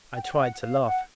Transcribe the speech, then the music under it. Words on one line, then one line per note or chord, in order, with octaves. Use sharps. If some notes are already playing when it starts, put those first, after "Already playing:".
I tried to laugh.
G5
F#5
G5
F#5
F5
F#5